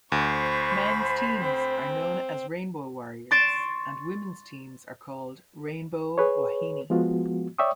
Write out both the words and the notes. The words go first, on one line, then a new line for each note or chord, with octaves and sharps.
Men's teams are known as Rainbow Warriors, and women's teams are called Rainbow Wahine.
D2 C5 B5 C#6
C4
C6 C#6 A6 D7 E7
G#4 B4 C#5
F3 G#3 B3 F4 F#4
C#5 D5 E5 G5 C#6 D#6